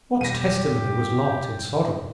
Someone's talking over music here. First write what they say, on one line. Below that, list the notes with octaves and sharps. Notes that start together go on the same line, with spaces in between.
What testimony was Lot in Sodom?
F2 B2 G3 G4 A#6 D#7